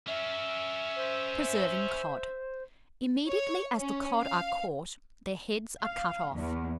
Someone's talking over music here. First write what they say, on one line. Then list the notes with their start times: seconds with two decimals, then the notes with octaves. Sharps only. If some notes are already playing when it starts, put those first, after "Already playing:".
PRESERVING COD.--Immediately as the cod are caught, their heads are cut off.
0.07 C#4 A#4 E5
0.96 C5
3.28 C#5
3.79 C#4
4.20 F5
5.82 F5
6.34 E2